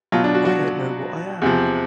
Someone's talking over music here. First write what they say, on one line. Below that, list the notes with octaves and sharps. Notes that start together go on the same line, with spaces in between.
I don't know what I am.
B2 F#3 F4
D4
F#4
F#4
E2 C3 F3